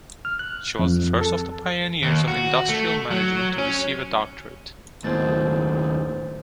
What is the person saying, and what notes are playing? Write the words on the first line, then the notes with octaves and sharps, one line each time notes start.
She was the first of the pioneers of industrial management to receive a doctorate.
F6
F#6
F2
A4
D#2
F#4
A3
F#3
C#4
D#2 A2 B3 C5 A6